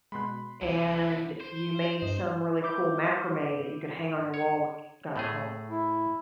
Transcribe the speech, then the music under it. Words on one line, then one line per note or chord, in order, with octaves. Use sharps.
and you made some really cool macrame that you could hang on your wall when you got at home.
B2 G#3 B5 C6 F#6
C2 D3 F3 E4
C5
G2 D#5
B4 E5 D6 G6
C#5
A2 A3 G#4
E4